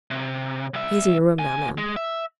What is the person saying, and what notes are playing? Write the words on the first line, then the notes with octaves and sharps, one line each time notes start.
He is in your room now, ma'am.'
C3
C2 E5
D#2 G#5
G#3
E5